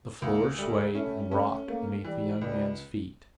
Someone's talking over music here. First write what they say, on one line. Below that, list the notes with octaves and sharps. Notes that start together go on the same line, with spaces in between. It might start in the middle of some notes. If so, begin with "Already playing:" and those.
The floor swayed and rocked beneath the young man's feet.
D2 A#3
G3 A3
A3 C#4
A3 C#4
A3 A#3
E3 G3
C#2 G3